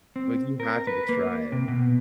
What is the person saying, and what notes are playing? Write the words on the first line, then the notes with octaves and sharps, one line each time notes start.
like, you have to to try it.
C4
A#4
B4
A#3
C3
B2